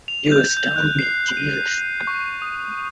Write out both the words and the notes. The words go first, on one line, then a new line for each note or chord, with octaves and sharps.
You astound me, Jeeves.
F7
G6
G6
F#6
C7
D#7
C#6
D#6